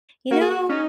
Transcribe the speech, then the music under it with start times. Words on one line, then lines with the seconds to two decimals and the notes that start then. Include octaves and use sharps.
"You know,
0.31 A#3 F#4
0.41 G#4
0.50 F#4
0.69 C#4 D#4